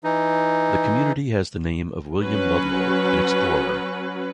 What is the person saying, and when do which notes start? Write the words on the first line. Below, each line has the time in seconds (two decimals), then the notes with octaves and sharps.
The community has the name of William Ludlow, an explorer.
0.04 E3 D#4
2.23 F#3 C#4 B4